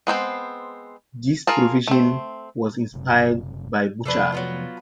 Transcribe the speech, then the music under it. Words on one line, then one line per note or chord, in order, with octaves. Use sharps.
This provision was inspired by Bouchard.
G#3 B3 C4 C5
F4 G#4 A#4 A5
A3 C4
F#1 C3
C3 F3 A3 D4 B4
F#3 B3 F4